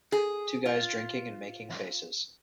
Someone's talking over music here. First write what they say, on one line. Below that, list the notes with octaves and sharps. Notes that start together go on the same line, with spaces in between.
Two guys drinking and making faces.
G#4
F4